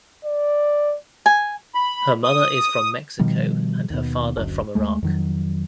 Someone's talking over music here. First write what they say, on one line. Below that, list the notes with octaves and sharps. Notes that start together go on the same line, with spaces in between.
Her mother is from Mexico and her father from Iraq.
D5
G#5
B5
D#6
B2 D#3 F3 G3
D#2 B2
F#1 D2
D#2 G#3 A3
F2 D#3 F#3